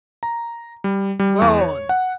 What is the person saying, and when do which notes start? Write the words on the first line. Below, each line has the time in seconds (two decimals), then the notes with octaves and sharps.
"Go on."
0.23 A#5
0.84 G3
1.19 G3
1.42 E2
1.61 C#5
1.89 F#5